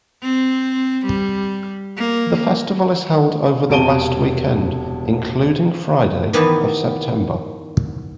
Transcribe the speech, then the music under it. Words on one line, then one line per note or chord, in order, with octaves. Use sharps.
The festival is held over the last weekend, including Friday, of September.
C4
G3
A#3
E1 C3 A5 D7 D#7 G7
D#3 E3 B3 D#4 G4 A5